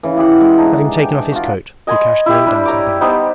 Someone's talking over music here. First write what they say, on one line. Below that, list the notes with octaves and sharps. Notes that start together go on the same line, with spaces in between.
Having taken off his coat, Lukashka went down to the bank.
C#3 E3
E4 G4 G#4 F#5
G#3
D4 D#4 G#4
G5
F4 F#4
D#5 G#5 B5 C6
E4 G4
G3 D4
C#5 A#5 D6
B3 D#4 G4 C5